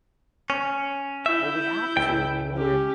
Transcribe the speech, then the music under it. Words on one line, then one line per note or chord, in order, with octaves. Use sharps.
Well, we have to, you know, we're
C#4
E4 E5 G6
C#2 G5
C#4 G4